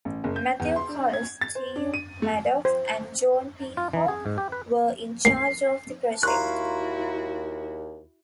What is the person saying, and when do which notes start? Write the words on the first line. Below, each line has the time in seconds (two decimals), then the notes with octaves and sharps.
Matthew Colless, Steve Maddox and John Peacock were in charge of the project.
0.05 A1
0.24 F#1
0.36 G6
0.60 E2
0.76 C6
0.89 D4
1.13 G#6
1.41 A6
1.55 C5
1.76 D4
1.94 D#7
2.22 A3
2.65 C5
3.77 F4
3.93 E3
4.08 G#4
4.26 G#2
4.38 G4
4.52 B4
5.25 D#2 A#3 C7
6.23 D#2 E4 F#4 F5 A#5 C6 C#6 F#6